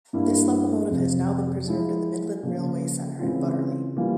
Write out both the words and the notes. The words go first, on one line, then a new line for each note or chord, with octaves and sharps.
This locomotive has now been preserved at the Midland Railway Centre at Butterley.
G2 G3 A#3 E4
F2 C3 F3
F3 G#3 E4
C#3 F3 A#3
C#3 E3 G#3 C4 F4
E3 G3 A#3 F4